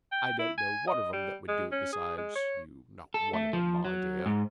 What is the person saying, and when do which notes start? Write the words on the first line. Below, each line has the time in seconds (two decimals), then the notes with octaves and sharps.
I don't know one of 'em that would do it besides you; not one of 'em, my dear.'
0.12 G5
0.39 E4
0.58 G#5
0.88 D#5
1.13 G3
1.48 G#3
1.72 C#4
1.93 G#4
2.18 G#3
2.36 C#5
3.14 A4
3.33 A3
3.53 F3
3.85 F#3
4.26 G#2